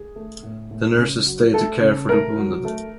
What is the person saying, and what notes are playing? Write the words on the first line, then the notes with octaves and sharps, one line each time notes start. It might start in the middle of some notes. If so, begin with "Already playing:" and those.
The nurses stayed to care for the wounded.
Already playing: G#4
A3
A2
A2
C#3
F#3
A3 A4
C#3
A3 A#4
F#3
A3